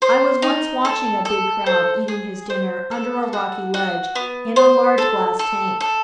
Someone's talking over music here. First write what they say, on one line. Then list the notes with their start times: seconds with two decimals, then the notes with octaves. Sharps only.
I was once watching a big Crab eating his dinner under a rocky ledge in a large glass tank.
0.02 C5
0.42 D#4
0.85 A4
1.25 A4
1.66 C5
2.08 G#4
2.50 C5
2.91 A4
3.33 F#4
3.74 F#4
4.15 B3
4.56 C5
4.98 A4
5.39 A4
5.80 A4